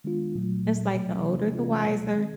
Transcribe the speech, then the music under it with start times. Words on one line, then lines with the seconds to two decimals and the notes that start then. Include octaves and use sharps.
It's like the older, the wiser,
0.04 D#3 G#3 B3 D4 F4
0.35 A#2 F#3 A3
0.65 A#2 F#3 A#3
0.94 B2 F#3 A3
1.24 C3 F3 A#3 D4
1.55 C3 E3 G#3 C#4 F4
1.85 B2 F#3 A#3
2.16 D#3 G#3 C4